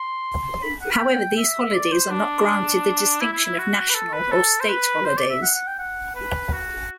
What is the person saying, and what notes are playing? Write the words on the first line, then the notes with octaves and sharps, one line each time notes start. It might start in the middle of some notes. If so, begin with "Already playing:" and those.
However, these holidays are not granted the distinction of national or state holidays.
Already playing: C6
B5
F#5
B5
G5
E5
D5
C5
D4
E4
E4
E4
F#4
B4
A4
B4
A4
C5
B4
C5
D5
E5
F#5
F#5
G5
F#5
B4
F#4